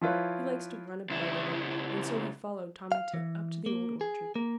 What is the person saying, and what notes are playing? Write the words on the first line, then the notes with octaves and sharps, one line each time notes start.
He likes to run about in it, and so he followed Tommy Tit up to the Old Orchard.
F3 E4 F4 B4 C#5
C#2 E4
F5
E3
A#3
G#4
A#3